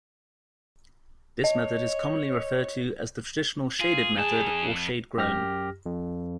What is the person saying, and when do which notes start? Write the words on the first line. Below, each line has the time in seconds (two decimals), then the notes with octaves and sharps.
This method is commonly referred to as the traditional shaded method, or "shade-grown".
1.44 C#5 D#5
3.80 F4 G#4
4.17 F2 G#4 A5
5.17 F#2 G4 F6 A#6
5.86 F2